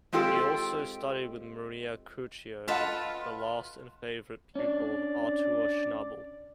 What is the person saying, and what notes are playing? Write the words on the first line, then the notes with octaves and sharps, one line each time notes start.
He also studied with Maria Curcio, the last and favourite pupil of Artur Schnabel.
G#3 C4 F4 G4 A4 G5
F4 A4 B4 D#5 F#5 A5
C#4 D4 D5